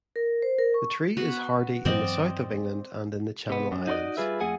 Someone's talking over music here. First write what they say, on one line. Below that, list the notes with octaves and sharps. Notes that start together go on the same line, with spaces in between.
The tree is hardy in the south of England and in the Channel Islands.
A#4
C5
A#4
C#6
B3 F#4 B4
G2 E3 F#3 C4 D5 D#5
C3 B3
F#2
D#4 F#4 A4 C5 D5 D#5
G3 F4 G#4 B4 E5
F2 A3 G#4 F#5 G#5